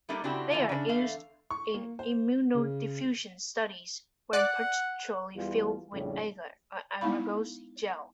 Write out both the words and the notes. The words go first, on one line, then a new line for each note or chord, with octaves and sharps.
They are used in immunodiffusion studies when partially filled with agar or agarose gel.
G3 A3 A#3 D4 D#4 G4
C#3 C4 D4 E4 F#4 G4
D3 E3 F#3 A#3 E4 F4
C#3 D4
E2 A3 F5
C#6
A#3
C5
C#3
D5 F#5 F#6
E2 G3 F4
A#1 F2 A2 C#3 G3
G#3 B3 D#4 E4 F5 B5